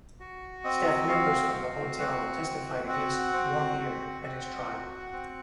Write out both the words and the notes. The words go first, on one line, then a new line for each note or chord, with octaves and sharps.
Staff members from the hotel testified against Warmbier at his trial.
F#4
C4 D#5
F#4 F5
C4
F#4 F#5
C4
F#4 F#5
C4
F#4
C4
F#4
C4